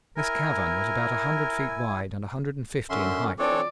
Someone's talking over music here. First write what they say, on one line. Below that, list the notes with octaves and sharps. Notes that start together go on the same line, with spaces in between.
This cavern was about a hundred feet wide and a hundred and fifty in height.
E4 A#4 G#5
F#2 D3 C#4 E5 C6
E3 C4 D4 A4 C#5 D5